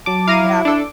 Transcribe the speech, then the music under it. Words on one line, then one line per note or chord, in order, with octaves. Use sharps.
You haven't?
F#3 A5 D6
E4 F5 A#5 D#7
D4 A4 D6